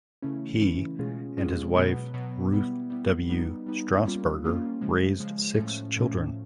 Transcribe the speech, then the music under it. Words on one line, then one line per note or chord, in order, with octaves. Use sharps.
He and his wife, Ruth W. Strassburger, raised six children.
C#3 E3 A3 C#4 E4
C#3 E3 A3 C#4 E4
B2 G#3 C#4 F4 G#4
B2 G#3 C#4 F4 G#4
B2 F#3 B3
B2 F#3 B3
G3 B3 E4
G3 B3 E4
G3 B3 D#4
G3 B3 D#4
G3 A#3 C#4 F4
G3 A#3 C#4 F4
C#3 F3 G#3
C#3 F3 G#3
A2 F3 A3 C#4
A2 F3 A3 C#4